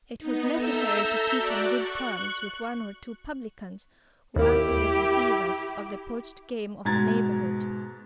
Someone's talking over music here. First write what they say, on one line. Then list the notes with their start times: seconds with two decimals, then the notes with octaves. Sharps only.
It was necessary to keep on good terms with one or two publicans who acted as "receivers" of the poached game of the neighbourhood.
0.20 B3 D#4
0.55 A4 E5 A#5 E6 G6
1.36 F#4 D5 F#5
1.74 C#6 F#6
4.36 D#2 A#3 E4 G4
6.85 G#2 B2 A#5 G#6 A6